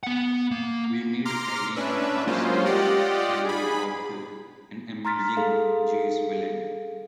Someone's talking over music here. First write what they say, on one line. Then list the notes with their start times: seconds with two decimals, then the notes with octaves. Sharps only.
We made Fagin an outsize and, we hoped, an amusing Jewish villain.
0.03 B3 F#5
0.51 A#3
1.25 A#5 C6 D6 F6
1.76 C#4 D4 B4 E5
2.27 F#3 G#3 A#3 C#4 F4 C5
2.65 F4 G4 D5 D#5 F#5
3.45 G#4 B5
5.05 A#5 C6 F6 A6 B6
5.37 G#4 A4 F5